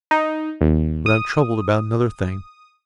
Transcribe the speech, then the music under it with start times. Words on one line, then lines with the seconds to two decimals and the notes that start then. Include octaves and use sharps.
But I am troubled about another thing.
0.11 D#4
0.61 D#2
1.06 D#6